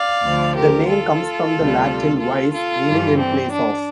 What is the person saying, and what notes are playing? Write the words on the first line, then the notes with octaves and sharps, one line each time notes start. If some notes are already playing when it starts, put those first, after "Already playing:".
The name comes from the Latin "vice" meaning "in place of".
Already playing: D5 F5
D2 D3 F3
G4 A#4
F4 A4
D2 C3 G3
F4 A4
F4 A4
G2 E3 G3
C4
D4